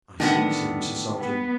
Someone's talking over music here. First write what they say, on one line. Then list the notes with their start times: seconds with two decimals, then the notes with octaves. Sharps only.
"I see!" said Mrs. Salton.
0.20 A2 D3 D#3 B3
1.18 B3